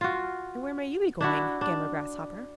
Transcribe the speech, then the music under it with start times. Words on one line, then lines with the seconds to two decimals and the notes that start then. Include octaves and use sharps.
'And where may you be going, Gammer Grasshopper?'
0.01 F4 F#4
1.21 D4 E4 F#4
1.61 D4